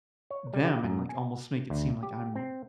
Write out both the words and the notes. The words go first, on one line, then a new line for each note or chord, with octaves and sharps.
them," and, like, almost make it seem like I'm
C#5
G3
G4
F#2
G#5
D2
G4
C4